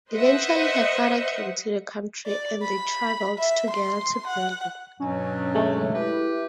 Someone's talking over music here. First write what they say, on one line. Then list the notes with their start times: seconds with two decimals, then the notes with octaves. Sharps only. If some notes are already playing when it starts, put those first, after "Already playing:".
Eventually her father came to the country and they traveled together to Berlin.
0.11 B4 C5 D#5 E5 F#5
2.26 D5
2.62 B5
3.38 E5
3.70 C6
4.27 F#5
5.00 G2 B2 F#3 C#4
5.55 G#3 A3
5.94 E4 G4 B4